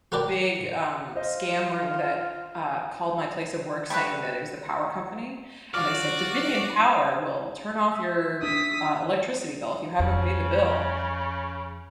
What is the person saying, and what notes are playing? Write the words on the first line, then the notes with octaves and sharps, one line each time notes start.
big, um, scam ring that, uh, called my place of work saying that it was the power company, and they said "Dominion Power will turn off your, uh, electricity bill if you haven't paid the bill."
F#4 A#4 B4 D5 G5 A5
F4 C5 D#5
G3 A3 B4
F3 F4 F#4 D5 F5 D6 F6
E5
D4 D#6 B6
F2 C#3